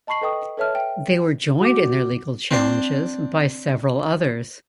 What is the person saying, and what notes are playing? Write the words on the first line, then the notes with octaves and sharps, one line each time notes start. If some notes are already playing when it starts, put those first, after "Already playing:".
They were joined in their legal challenges by several others.
D#5 A5 B5 C#6 C7 F#7
A4 B4 D#5 G5 C#6 D#6
A4 B4 C#5 E5 A5 F6
G5
F#4 D6
C4 D4 C5